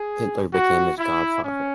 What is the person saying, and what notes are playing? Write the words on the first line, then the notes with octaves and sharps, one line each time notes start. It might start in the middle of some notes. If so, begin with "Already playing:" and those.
Hitler became his godfather.
Already playing: G#4
F#4
E4
C#4